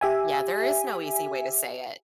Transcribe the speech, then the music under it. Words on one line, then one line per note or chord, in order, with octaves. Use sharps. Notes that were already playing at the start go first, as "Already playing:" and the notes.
Yeah, there is no easy way to say it.
G4 E5 G#5